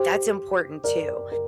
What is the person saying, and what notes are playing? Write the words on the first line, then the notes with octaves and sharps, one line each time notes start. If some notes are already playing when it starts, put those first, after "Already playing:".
that's important too.
Already playing: G4 C5
A#4 D5
A#4